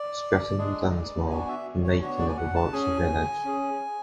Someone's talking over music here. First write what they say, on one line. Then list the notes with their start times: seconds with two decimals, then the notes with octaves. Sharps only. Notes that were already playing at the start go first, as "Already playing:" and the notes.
"Stretton on Dunsmore: The Making of a Warwickshire Village".
Already playing: D5
0.58 G#3 D4 G#4
1.30 B3 D4 F#4 G#5
1.48 E5
1.84 C#5
2.02 B3 D4 F#4 C#5
2.19 D5
2.29 G#5
2.37 F#5
2.55 A5
2.72 C#4 G#4 G#5
3.45 C#4 G#4